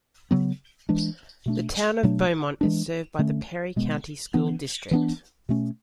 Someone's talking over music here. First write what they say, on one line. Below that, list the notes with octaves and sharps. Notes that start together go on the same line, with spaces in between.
The Town of Beaumont is served by the Perry County School District.
C#3 F#3 B3
E3 G#3 D4
B2 A3 D4
B2 F#3 A3 D4
E3 G#3 D4
D3 A3 C#4
B2 G#3 B3
E3 B3 D4
E3 B3 D4
B2 A3 C#4